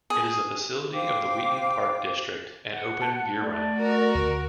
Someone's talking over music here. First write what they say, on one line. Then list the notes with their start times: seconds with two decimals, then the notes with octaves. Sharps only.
It is a facility of the Wheaton Park District and open year round.
0.10 G#4
0.93 C5 F5 G5 D6
2.72 F#5
3.02 A5
3.42 A3 D5
3.77 F#4 A#4
4.15 D2 D7